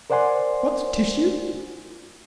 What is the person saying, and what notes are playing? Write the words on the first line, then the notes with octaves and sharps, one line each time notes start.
"What's tissue?"
A#4 C5 D5 F#5 G#5 C6